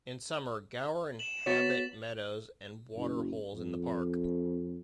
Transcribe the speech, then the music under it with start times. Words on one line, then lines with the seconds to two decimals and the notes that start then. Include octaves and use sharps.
In summer gaur inhabit meadows and water holes in the park.
1.19 E7 F#7
1.46 B3 F#4 C#5 A6 B6 E7
2.96 F#1
3.54 F2